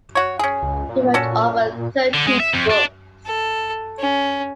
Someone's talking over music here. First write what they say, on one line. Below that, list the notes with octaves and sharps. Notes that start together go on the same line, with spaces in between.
He wrote over thirty books.
F#4 C#5
C#4 G#4
C#2
A#2
C#4 F#4 A4
D3
G#3
E5
F2
D4
A4
C#4